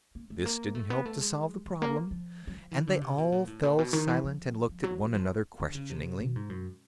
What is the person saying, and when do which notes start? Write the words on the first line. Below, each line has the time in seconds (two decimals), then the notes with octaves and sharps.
This didn't help to solve the problem, and they all fell silent and looked at one another questioningly.
0.15 A#3
0.30 A3
0.46 A#3
0.75 A3
0.90 B3
1.05 A3
1.21 G#3
1.66 G3
1.82 A#3
2.11 F3
2.47 F#3
2.56 F3
2.71 E3
2.87 D3
3.02 C3
3.18 B2
3.32 A#2
3.47 A2
3.63 A#2
3.79 B2
3.93 D#3
4.08 E3
4.24 F3
4.69 F3
4.84 F#3
4.99 F#3
5.14 F3
5.60 D3
5.75 C#3
5.90 C3
6.20 B2
6.36 G#2
6.50 F#2